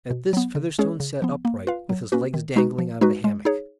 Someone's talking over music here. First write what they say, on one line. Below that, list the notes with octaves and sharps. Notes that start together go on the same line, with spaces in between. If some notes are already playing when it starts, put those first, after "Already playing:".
At this Featherstone sat upright, with his legs dangling out of the hammock.
B2
F#3 B3
C#3
G#3 C#4 G#4 C#5
C#3
F3 B3
A#3
F4 B4 F5
F#3
A#3 C#4 F#4 B4
D#3
G#3 D#4 F#4 B4
F3
G#3 D#4 F#4 B4
G#3
D#4 G#4 C#5